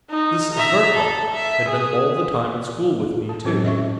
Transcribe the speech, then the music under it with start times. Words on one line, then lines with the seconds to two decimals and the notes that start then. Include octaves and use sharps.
This Zverkov had been all the time at school with me too.
0.10 D#4
0.53 E5 A#5
0.94 A4
1.33 E5
1.68 G#4
3.29 A4 A5
3.45 A2 F#3 G#3 C4 C#4 G4 A4
3.65 D#5 E5 C#6